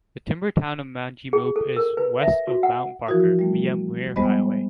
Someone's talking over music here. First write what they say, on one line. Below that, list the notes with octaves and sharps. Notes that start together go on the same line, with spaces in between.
The timber town of Manjimup is west of Mount Barker, via Muir Highway.
G#4
A4
A#4
B4
E5
F#4
F#5
E3 F3 E4 F#4 A#4 D#6
G3 A3
G3 G#3 B3 C5 D#5 B5